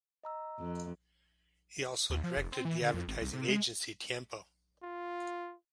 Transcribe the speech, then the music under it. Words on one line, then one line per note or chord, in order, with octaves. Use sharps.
He also directed the advertising agency Tiempo.
D#5 A#5 E6
F2
D#2
F3
F1
C4
E3
D3
F2
G#1
C2
C3
G#3
F4